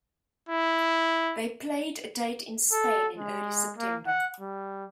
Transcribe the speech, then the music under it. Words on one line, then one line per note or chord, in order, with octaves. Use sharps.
They played a date in Spain in early September.
E4
A4
G#3
A#3
F#5
G3